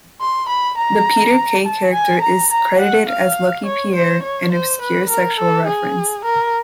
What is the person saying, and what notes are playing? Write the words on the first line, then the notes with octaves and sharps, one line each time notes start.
The "Peter Kay" character is credited as "Lucky Pierre", an obscure sexual reference.
C6
B5
A#5
A5
G#5
A#5
A#5
F#5
F5
C#5
C5
C#5
C5
B4
A#4
A4
G#4
A#4